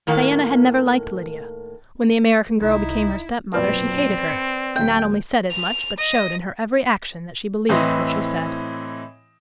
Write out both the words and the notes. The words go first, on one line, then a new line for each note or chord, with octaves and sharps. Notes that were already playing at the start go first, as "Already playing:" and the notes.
Diana had never liked Lydia; when the American girl became her stepmother she hated her, and not only said as much but showed in her every action that she believed what she said.
A2 D#3 A#3 F5
C2 D#4 E4
B1 F#2 A#2 C4 B4 D5
C#7
D1 A#3 E5 G5
F7
D#5
A2 E3 C4 E4 D#5 C6